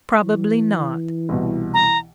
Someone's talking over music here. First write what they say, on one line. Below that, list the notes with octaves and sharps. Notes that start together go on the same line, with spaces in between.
Probably not.
E3
C2 B2
A#5